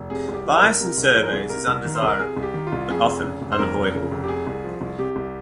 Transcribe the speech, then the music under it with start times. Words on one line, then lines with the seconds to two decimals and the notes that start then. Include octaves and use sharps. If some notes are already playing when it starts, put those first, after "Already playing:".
Bias in surveys is undesirable, but often unavoidable.
Already playing: F1
0.10 C3 G#4
0.29 C2
0.34 G4
0.45 F3
0.58 A#4
0.63 C2
0.80 C3 A#4
0.98 C2
1.03 G#4
1.16 F3
1.23 A#4
1.26 G#4
1.33 C2
1.49 C3 A#4
1.67 C2
1.85 D#3
1.95 C5
2.03 C2 A#4
2.19 C3 G#4
2.37 C2
2.43 G4
2.54 D#3
2.67 F4
2.72 C2
2.90 F2 G#4
3.06 F1
3.24 C#3
3.42 F1
3.52 C5
3.59 F2 A#4
3.77 F1
3.94 C#3
4.11 F1
4.24 G4
4.28 C3 G#4
4.47 C2
4.64 F3
4.81 C2
4.99 C3 G4
5.16 C2